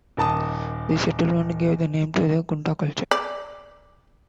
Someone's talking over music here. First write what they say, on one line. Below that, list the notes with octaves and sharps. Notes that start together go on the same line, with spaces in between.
This settlement gave the name to the Kunda culture.
D#1 D#3 A5 D#6
D5